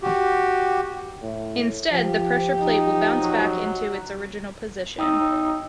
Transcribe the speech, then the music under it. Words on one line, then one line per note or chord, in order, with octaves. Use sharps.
Instead the pressure plate will bounce back into its original position.
F#4 G4
A2
F3 G4
F3 D#4
F#3
D#4 G5 D#6 E6